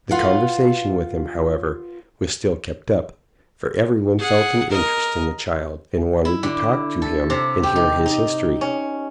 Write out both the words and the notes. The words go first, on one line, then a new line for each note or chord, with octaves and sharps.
The conversation with him, however, was still kept up, for everyone felt an interest in the child, and wanted to talk to him and hear his history.
F4 B4 F5 F#5
G#4 F#5
A#4 D#5
E4
D3
A4
C3
G4
D#4
D#4
C#4